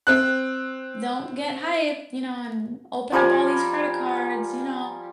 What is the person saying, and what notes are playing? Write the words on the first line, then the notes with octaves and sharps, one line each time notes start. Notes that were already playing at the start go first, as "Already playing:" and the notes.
don't get hyped, you know, and open up all these credit cards, you know,
C4 F#6
F3 G3 A#4 G#5